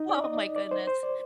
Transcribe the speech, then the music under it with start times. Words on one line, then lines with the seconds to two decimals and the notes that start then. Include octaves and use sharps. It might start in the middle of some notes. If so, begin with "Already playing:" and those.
Oh my goodness.
Already playing: D#4
0.09 D5
0.24 D#5
0.56 D5
0.71 C5
0.87 C5
1.03 D5